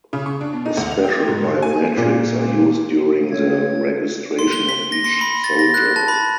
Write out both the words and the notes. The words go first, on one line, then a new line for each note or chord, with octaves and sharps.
Special biometrics are used during the registration of each soldier.
C#3
C#6
D4
B2
D#4
D2
F7
G5
G#2
D3
G#5
A#2
A3 A4 C#5 G#6
C6
G7
B6
A#6
C6
B5
A6
A#6
F#6
A5
B5